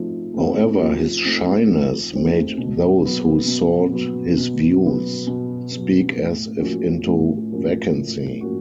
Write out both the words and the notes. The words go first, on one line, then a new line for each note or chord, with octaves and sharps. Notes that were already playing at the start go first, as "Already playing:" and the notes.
However his shyness made those who sought his views... speak as if into vacancy.
Already playing: F3 A3 C4 D#4
A3 C4 D#4
F3
A3 C4 D#4
F3
A3 C4 D#4
B2
F#3 B3
B2
F#3 B3
B2
F#3 B3
B2
F#3 B3
A2
F3 A#3 C#4 F#4
A2
F3 A#3 C#4 F#4
A2
F3 A#3 C#4 F#4